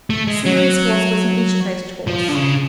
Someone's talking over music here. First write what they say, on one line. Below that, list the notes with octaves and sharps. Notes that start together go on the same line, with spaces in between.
Sleary's horse was an educated horse.
A3
G#3
F#3
F3
D3
C#3